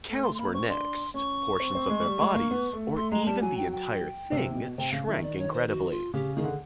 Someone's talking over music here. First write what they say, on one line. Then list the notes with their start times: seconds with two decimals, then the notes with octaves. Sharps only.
Cows were next, portions of their bodies, or even the entire thing, shrank incredibly.
0.09 A3
0.23 A3 C6
0.35 C6
0.39 A#3 B5
0.54 C4 C#6
0.69 D4 C6
1.14 C#4 C#6
1.60 C4
1.75 C4
1.90 G#3
2.05 G3
2.21 G#3
2.35 A#3
2.51 B3
2.73 A3
2.96 A3 C6
3.11 G#3 A#5
3.26 G3 A5
3.41 F#3 G#5
3.57 G5
3.72 G5
4.32 C3
4.55 B2
4.78 C3 G5
4.92 C#3 F5
5.08 D#3 E5
5.23 D5
5.38 C#5
5.53 C5
5.68 F#4
5.91 F4
6.14 C#3 G4
6.36 D#3 G#4
6.44 D3